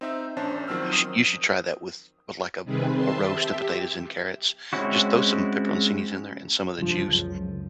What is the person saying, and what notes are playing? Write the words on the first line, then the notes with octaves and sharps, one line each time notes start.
You shou you should try that with with, like, a a roast of potatoes and carrots. Just throw some peperoncinis in there and some of the juice.
C4 D#4 E5 E6
A#1 C#4 D4 C5 A5 G6
D#3 F3 F#3 C4 E6 F6
D#6
C3 D#3 G3 C4 G#4 B4
E5 A5 C6
G4 E5
G#3 C4 C#4 E4 F#4
F1 G2 F3
C#2 F#2